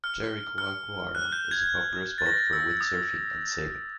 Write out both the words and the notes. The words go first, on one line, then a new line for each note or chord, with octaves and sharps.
Jericoacoara is a popular spot for windsurfing and sailing.
F6
F6
F#6
G6
G#6
A6
A#6
E6
D#6